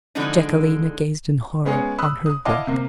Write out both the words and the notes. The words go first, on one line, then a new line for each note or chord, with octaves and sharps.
Jacquelina gazed in horror on her work.
D3 E3 F3 G#3 D4 D#4
G#3 B3 C#4 G#4 C#5
B5 D#6 E6 F#6
D#6
E4 D#5 F5 F#5 A5 D6
C3 A#3